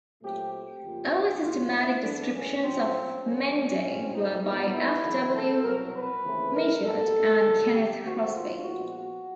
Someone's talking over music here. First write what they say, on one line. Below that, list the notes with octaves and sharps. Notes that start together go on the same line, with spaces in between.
Early systematic descriptions of Mende were by F. W. Migeod and Kenneth Crosby.
A#2 F#3 A3 C4 G4
G4
F2 C#3 F3 A#3
G#2 F3 A#3 F4
E4
A2 E3 G#3 B3 D4
C#4
A#2 F#3 A#3 C4
F#2 D#3 G#3 C#4
A#2 G3 C4
D#4
A#2 G3 B3 D#4
E4
E2 C#3 F#3 A#3
A4
C2 B2 F#3 A#4
B4
D#2 C#3 E3 A3 C4
A#4
B2 G3 A#3 A4
D#2 D3 G3 A#3
G4
D#2 D#3 G#3 C4 F#4
F4
A#2 F3 G#3 B3 F#4
F#4